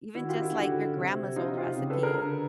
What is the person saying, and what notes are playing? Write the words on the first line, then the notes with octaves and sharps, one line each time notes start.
Even just, like, your grandma's old recipe.
D#3 E4 F#4
F4 G4
E4 F#4
D3 E4 F#4
C3
D#4 F4
F4 G4
C#3
A4 B4
G#4 A#4
D3